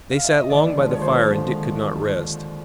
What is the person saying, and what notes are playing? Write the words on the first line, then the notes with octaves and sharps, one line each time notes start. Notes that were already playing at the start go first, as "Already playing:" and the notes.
They sat long by the fire and Dick could not rest.
F5
E5
D#5
D#2 D5
D3 F3 G#3
C#5
D#2 C5
D3 F3 G#3